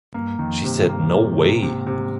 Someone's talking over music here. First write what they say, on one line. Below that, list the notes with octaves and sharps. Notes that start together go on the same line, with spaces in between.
She said No way!
G2 A#3
F2 D#3
G2 C3
A#3
C3
C3
G#2 C3
C3